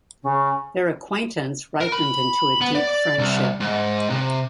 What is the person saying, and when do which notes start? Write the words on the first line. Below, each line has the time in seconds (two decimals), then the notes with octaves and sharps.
Their acquaintance ripened into a deep friendship.
0.22 C#3
1.81 A#4
1.92 B5
2.61 B3
2.75 D5
3.18 C2
3.60 G#2
4.10 C3